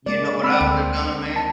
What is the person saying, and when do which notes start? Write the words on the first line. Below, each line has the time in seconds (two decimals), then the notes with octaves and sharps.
You know what I would have done, man?
0.06 G#3 A#3 D5
0.44 C4 B5 E6
0.61 D2
1.36 A5